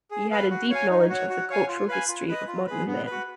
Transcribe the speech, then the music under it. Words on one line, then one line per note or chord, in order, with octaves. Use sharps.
He had a deep knowledge of the cultural history of modern man.
G#4
B4 F5
F#4
C#5 F5 G#5
D#4
F#4 C#5
F#4
C#5 F5 G#5
F4
B4 F5 G#5
F4
B4 D#5
F4
G#4 B4
B3
F#4 B4